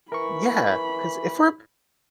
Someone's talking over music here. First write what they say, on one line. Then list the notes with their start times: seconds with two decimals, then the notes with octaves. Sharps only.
Yeah, 'cause if we’re
0.12 E3 A#4 B5 C#6